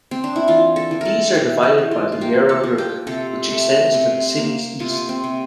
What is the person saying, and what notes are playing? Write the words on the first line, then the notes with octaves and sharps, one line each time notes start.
These are divided by the Yarra River, which extends to the city's east.
C4
D4
E4
E3 F4
A4
E3
A4 A#4
E3 G4
G4
E3
F4
F4
A#3 G4
A4
F3
G4
C3 A4
A3
C3
A#3
C3 F4
C4
C3